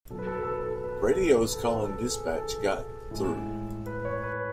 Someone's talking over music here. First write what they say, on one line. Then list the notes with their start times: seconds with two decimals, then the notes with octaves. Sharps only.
Radios calling dispatch got through.
0.10 B2 F#3 A4
0.19 B4
0.27 A4
0.35 B4
0.43 A4
0.51 B4
0.59 A4
0.67 B4
0.76 A4
0.84 B4
0.92 A4
1.00 B4
1.08 A4
1.17 B4
1.26 A4
1.34 B4
1.41 A4
1.53 A4
1.60 B4
1.86 A4
2.11 G#4
2.36 A4
3.11 A2 G#3
3.86 B4
4.05 C#5
4.23 B4